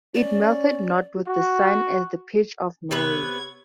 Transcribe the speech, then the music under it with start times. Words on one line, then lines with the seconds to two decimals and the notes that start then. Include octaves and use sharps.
It melteth not with the sun as the pitch of Norway.
0.15 C#4 D5
1.28 F#4
2.91 C3 B3 B4 C#5 G#6